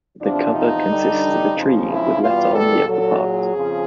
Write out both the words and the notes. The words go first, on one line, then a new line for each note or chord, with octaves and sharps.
The cover consists of a tree with letter on the upper part.
E2 C3 F3 D4
D#4
G2 D3 G3
F2 C#3 F3
E4
E2 B2 G3 F4
A4
A#2 F#3 A4
G#4
F2 C#3 F3